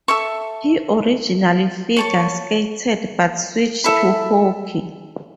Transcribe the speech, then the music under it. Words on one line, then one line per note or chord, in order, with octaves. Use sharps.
He originally figure skated but switched to hockey.
A4 E5 C#6
C#5 A5 C#6
E4 A4 E5 B5